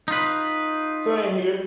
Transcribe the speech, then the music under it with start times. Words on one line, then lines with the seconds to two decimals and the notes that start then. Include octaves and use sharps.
Same here.
0.08 D#4 F4 B4